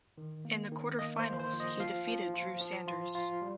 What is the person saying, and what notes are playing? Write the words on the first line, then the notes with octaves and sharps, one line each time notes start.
In the quarterfinals he defeated Drew Sanders.
D#3
A#3
D#3
A#3 D#5
C5
A#3
C5
F3
D#5
F3 F5
F3
F4
F3
F4
F4
G3